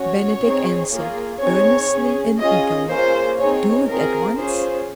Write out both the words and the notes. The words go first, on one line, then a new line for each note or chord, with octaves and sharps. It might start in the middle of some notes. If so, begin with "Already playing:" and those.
Bennydeck answered, earnestly and eagerly: "Do it at once!"
Already playing: C#4 F#4 C#5
C4 D#4 G#4
A#3 F4 G#4
C4 D#4 G#4 C#5
C#4 G#4
C#4 F4 G#4 D#5
A#3 C#4 F4 G#4 C5
C4 D#4 G#4 C#5
C4 F4 G#4 A#4
C#4 F4 G#4 C5